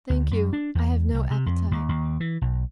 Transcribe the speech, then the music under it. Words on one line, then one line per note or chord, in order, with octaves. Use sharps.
"Thank you, I have no appetite."
D2
F#2
D4
E2
C2
C3
F2
D#2
D#2
E3
B1